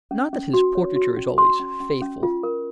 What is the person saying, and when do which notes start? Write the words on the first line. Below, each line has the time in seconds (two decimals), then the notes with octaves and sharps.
Not that his portraiture is always faithful.
0.11 C#4
0.33 C#4
0.54 F#4
0.75 C#5
0.96 F#4
1.17 C#4
1.38 C#4 C6
1.59 C#4
1.80 C#4
2.02 C#4
2.23 F4
2.43 A#4